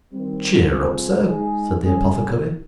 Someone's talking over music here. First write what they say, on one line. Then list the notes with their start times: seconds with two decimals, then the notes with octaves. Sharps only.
'Cheer up, sir!' said the apothecary.
0.12 D#3 G3 C4
0.69 C3 G3 C4 F4 G#4
1.25 G#3 D#4 G#4
1.83 C#3 G3 C#4 G#4